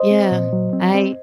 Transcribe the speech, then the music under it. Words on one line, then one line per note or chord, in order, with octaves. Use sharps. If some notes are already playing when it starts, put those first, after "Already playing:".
Yeah, I
Already playing: C5 D#5
C4
A#2
F#3
C4
C4